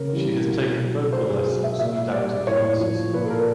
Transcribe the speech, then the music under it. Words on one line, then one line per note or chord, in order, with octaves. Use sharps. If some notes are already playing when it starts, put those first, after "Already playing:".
She has taken vocal lessons and acting classes.
Already playing: C#3 A#4
E3 G3
B2
F#3
B2 C5
G#4
F#3
E5
A#2 E5
G3 D5
A2 C#5
F3
A#2 B4
A4
A#4